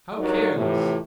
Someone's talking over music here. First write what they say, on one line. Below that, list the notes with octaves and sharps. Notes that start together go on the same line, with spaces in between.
How careless!
G2 F#3 D#4 A#4 D5
F2 A2 C3 E3